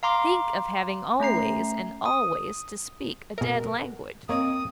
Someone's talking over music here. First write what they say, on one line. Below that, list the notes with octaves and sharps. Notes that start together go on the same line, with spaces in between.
Think of having always--and always--to speak a dead language!
F5 A#5 C6 D6
A3 C#4 A#5 C7
D#6
B2 G#4 A#4 E5
F#5
A#3 C4 C#5 D#5 D#6